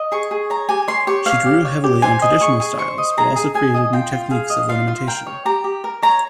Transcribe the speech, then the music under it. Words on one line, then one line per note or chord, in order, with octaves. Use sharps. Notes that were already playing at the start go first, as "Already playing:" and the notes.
She drew heavily on traditional styles, but also created new techniques of ornamentation.
Already playing: D#5
G#4 C#6
G#4
C#5 A#5
G4 G#5
C#5 C6
G4 C#6
C#5 F5
G4
C#5
G4
C5 G#5
D#5
G#4 C#6
G#4
C5 C#6
D#5
G#4 A#5
G#4
G#4 G#5
D#5
F4 G5
F4
G#4 F5
D#5
F4 F5
F4
A#4 G5
C#5
G4 A#5
G4
A#4
C#5 A#5